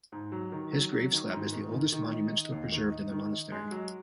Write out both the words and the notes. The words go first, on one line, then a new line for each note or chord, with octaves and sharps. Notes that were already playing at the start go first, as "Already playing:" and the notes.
His grave slab is the oldest monument still preserved in the monastery.
G#2
F#3
D#3
F#3
F#3
D#3
G#2
D#3
D#3
D#3
D#4
D#4
D#2
D#3
D#4
D#3
D#4
G#3
F#3